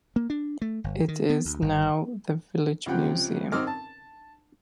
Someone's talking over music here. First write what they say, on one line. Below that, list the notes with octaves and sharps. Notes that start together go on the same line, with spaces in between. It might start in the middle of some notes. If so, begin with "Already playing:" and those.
It is now the village museum.
A#3
D4
A3
G1
D#3
B3
D2
G1
C#2 C3 F3 F#5 G5
F#2 C4 D#4 D6 E6 F6
A5